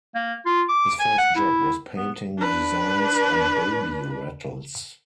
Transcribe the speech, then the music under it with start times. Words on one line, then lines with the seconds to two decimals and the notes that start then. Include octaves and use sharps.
His first job was painting designs on baby rattles.
0.15 A#3
0.46 F4
0.69 D6
1.00 G#5
1.18 F#5
1.36 E4
1.96 B3
2.38 D4 B4